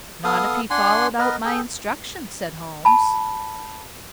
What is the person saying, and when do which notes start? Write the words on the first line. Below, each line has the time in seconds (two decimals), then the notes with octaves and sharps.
"Not if he followed out my instructions," said Holmes.
0.24 B3 A4 F5 D#6
0.70 D4 F#5 G#5 C6
1.19 B3 A#4 B4 D#5
1.45 G#4 A4 G5
2.85 A5 B5